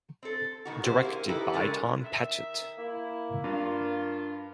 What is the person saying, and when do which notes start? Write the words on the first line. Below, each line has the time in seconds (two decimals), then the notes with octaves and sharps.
Directed by Tom Patchett.
0.23 C4 A4
0.65 B2 D#3 F#4
0.83 C4 E4 F#4 G4 C5
1.03 A#3 E4 G#4
1.29 D#4 E4 G4 A4 B4
1.53 C#3 G#3 A3 D4 G#4 A#4
2.04 D#3 E5
2.78 A#3 E4
3.44 G2 F4